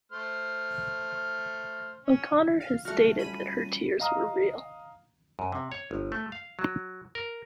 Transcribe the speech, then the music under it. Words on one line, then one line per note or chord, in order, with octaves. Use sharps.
O'Connor has stated that her tears were real.
A3 C5 F6
C#4
F5
F#3 G3 A3 F4 F#4 F6 C#7
C#4 B5 D#7
D#5 F5 A#5 D#6 F6
F#2
C3
C#5
G1
A3
F5
F#3
A#4